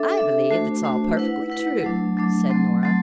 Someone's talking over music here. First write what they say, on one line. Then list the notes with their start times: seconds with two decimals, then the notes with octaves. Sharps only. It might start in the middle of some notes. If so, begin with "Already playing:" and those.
"I believe it's all perfectly true," said Nora.
Already playing: D4 A4 E5
0.17 D4 A4 E5
0.51 A3 D4 F#4 C5
0.84 A3 D4 F#4 C5
1.17 E4 B4 F#5
1.50 E4 B4 F#5
1.83 F#3 A3 D4
2.17 F#3 A3 D4
2.50 F#3 A3 C4
2.83 F#3 A3 C4